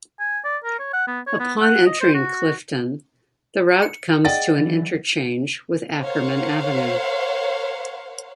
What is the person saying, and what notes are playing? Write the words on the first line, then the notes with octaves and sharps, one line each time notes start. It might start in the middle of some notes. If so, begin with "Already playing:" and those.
Upon entering Clifton, the route comes to an interchange with Ackerman Avenue.
G#5
D5
A#4
C#5
F#5
B3
C#5
B3
F#5
D#5
C5
F#4
C#7
G#4 D5 D#5 F#5 G5 A6
D#3 E3 F#3
A#4 C5 C#5 F5 F#5